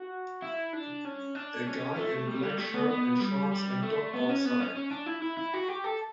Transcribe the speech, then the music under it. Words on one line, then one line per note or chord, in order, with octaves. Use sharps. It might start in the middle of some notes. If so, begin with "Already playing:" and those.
A guy in black shirt and shorts and dog outside.
Already playing: F#4
E4
D4
C#4
D4
C#4
A3
G3
G3
A3
B3
B3
G3
G3
A3
B3
C#4
B3
C#4
C#4
D4
E4
E4
E4
F#4
G4
A4